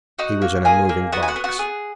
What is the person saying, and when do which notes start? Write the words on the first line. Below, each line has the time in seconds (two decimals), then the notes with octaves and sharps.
He was in a moving box.
0.19 D#4 F#4 F#5
0.42 A#3
0.65 A#3 G#4 G#5
0.89 A#3
1.12 B3 F#4 F#5
1.23 G#5
1.28 F#4 F#5
1.36 B3
1.44 F#4 F#5
1.59 G#4